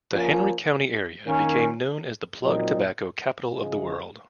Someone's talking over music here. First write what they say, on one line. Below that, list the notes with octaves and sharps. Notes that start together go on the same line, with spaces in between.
The Henry County area became known as the plug tobacco capital of the world.
F3 A#3 C#4
D#3 A#3 C#4
A#2 F#3 C4 D#4
C#3 F3 G#3